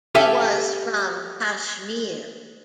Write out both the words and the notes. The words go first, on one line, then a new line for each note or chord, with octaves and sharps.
He was from Kashmir.
G4 A4 E5 F5 G5 G#5